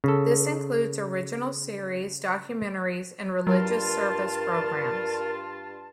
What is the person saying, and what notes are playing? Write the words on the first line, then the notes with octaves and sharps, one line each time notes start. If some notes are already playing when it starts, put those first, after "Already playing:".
This includes original series, documentaries and religious service programs.
C#3 A4
G2 F#3 F4 A#4 A5